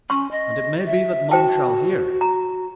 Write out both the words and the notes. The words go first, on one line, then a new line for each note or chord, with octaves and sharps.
And it may be that Mung shall hear.
C#4 C6 C#6
D#5
E5
F#4 C5 G5 A5
A#5